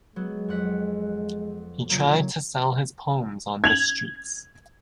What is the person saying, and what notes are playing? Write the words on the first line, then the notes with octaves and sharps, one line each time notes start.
He tried to sell his poems on the streets.
F#3 G#3 B3
F2 F#5 B6
A#2 C#3 F#3 A#3
G#6 F7 F#7